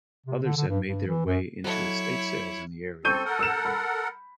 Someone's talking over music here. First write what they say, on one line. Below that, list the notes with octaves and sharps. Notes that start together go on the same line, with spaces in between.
Others have made their way into estate sales in the area.
C3
D3
D3
G2
G2
E3
F#2
F#3 E4 A4 C#5
C4 A4 C#6 G6 D#7
A4 A#4 F#5
E6 E7
B5